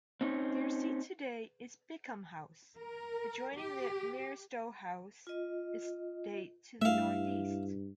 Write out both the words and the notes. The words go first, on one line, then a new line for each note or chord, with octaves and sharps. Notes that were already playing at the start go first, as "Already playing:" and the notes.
Their seat today is Bickham House, adjoining the Maristow House estate to the north-east.
C4 C#4 D#4
A#4
G4
F4 D#5
G2 A3 E4 E5 F5